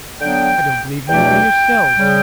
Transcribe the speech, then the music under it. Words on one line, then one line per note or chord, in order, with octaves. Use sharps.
I don't believe you know yourselves.
D3 F#3 B3 D4 G5
E2 B2 F#3 A3 D4 G5
C#3 G3